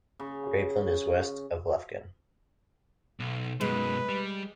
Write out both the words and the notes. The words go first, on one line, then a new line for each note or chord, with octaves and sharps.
Grapeland is west of Lufkin.
C#3
B1
F#2 B2 G#3 B4
G3